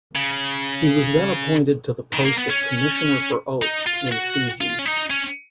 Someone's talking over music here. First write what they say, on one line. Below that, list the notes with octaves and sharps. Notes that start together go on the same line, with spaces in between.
He was then appointed to the post of Commissioner for Oaths in Fiji.
C#3
D#3
A#3
B3
C#4
D#4
F4
F#4
F4
C#4
D#4
C#4